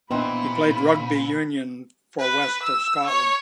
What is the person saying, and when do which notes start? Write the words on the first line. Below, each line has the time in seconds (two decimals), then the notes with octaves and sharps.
He played rugby union for West of Scotland.
0.11 A#2 E3 B3 C4 D4 D#4 B5
2.19 B4
2.63 E6
3.06 C#5